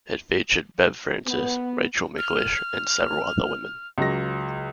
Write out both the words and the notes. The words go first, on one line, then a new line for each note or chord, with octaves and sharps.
It featured Bev Francis, Rachel McLish, and several other women.
B3
F6
C#2 F#3 A#6